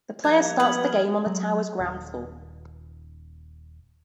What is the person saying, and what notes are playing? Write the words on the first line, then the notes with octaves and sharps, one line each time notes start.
The player starts the game on the tower's ground floor.
F3 G3 A#3 G#6
B3 B4 F6 F#7
F#3
D#1